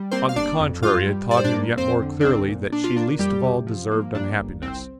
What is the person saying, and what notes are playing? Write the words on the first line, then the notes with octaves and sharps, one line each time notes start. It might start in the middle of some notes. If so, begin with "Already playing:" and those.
On the contrary it taught him yet more clearly that she least of all deserved unhappiness.
Already playing: G3
A#3 C4 C5
F5
G1 D4 D5
F2
G2 F4 F5
G3
G2 D5
C5
D4 D5
A#3
F2 C4 C5
D3
D4
C2 C4
A#2
A#2 D4
F4
A#3 D4
F2 G3 G4
C3
F3
A#3
G2 D4
G1
C2 C4